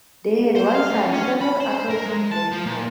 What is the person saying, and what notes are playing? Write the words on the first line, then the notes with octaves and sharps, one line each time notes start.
They had one son, Samuel Appleton Blatchford.
C5
F5
D2
C#4
B5
C5
A#4
G#3
A5
F3
A#2